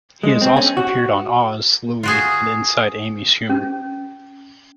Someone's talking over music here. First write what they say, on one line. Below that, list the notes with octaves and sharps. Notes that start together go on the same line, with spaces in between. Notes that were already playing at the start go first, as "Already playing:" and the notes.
He has also appeared on "Oz", "Louie" and "Inside Amy Schumer".
G#3
C4
C#4
F#4
F4 F#4 G#4
C#4